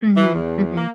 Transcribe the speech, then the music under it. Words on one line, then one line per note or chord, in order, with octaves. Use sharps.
Mhm, mhm.
E3
E2
A#3